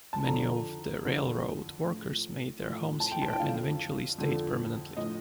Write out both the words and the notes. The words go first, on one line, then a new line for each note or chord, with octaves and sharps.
Many of the railroad workers made their homes here and eventually stayed permanently.
A5
F2 D3 F3 A#5
F2 D3 F3
A2 F3
A2 F3
A5
G5
A5
G5
F2 D3 F3 F5
F2 D3 F3
A2 F3 D#5